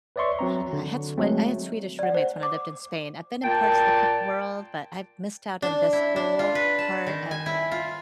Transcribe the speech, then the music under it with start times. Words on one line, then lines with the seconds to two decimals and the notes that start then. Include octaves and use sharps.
I don't know, I had Sw I had Swedish roommates when I lived in Spain. I've been in parts of the cou world, but I've missed out on this whole part of
0.16 B4 C#5 D5 E5 C6 C#6
0.39 F#3 C4 A#5
0.73 D3
1.17 F#3 G#3 A3 C4
1.99 D5 F#5
2.15 C5
2.43 D6
3.44 A#2 G5 A5
5.62 D4
5.93 E4
6.16 D4
6.39 F4
6.55 B4
6.79 A5
7.07 D#3
7.31 G#5
7.46 E4
7.71 F4